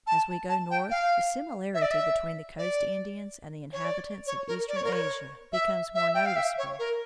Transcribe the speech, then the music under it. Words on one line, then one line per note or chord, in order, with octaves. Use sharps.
As we go north the similarity between the coast Indians and the inhabitants of eastern Asia becomes more noticeable.
A5
A5
G5
F5
E5
D5
E5
D5
C#5
D5
C#5
A#4
D5
C#5
A#4
C#5
E5
E5
G5
F5
E5
C#5
A#4